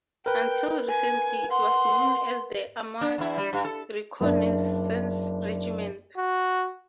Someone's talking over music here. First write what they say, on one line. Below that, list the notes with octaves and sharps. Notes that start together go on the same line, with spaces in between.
Until recently, it was known as the Armoured Reconnaissance Regiment.
A#4 B4 G5
G#5
F#5 C6
D4
E2 E4
G3
G2
A4
F#1 D4
F#4